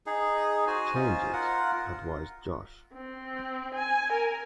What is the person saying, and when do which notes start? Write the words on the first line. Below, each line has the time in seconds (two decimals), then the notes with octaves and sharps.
"Change it," advised Josh.
0.06 D#4 G#4
0.67 F#4 C5 G#5
0.95 C#4 D#4 F4 C5
1.33 F4 A#4 F#5
2.93 C4
3.74 G#5
4.12 A#4